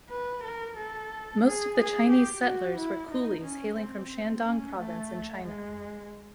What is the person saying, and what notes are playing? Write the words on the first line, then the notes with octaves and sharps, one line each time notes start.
Most of the Chinese settlers were coolies hailing from Shandong province in China.
B4
A#4
A4
G#4
G#4
G4
F#4
E4
D#4
C#4
C4
C#4
A3
G#3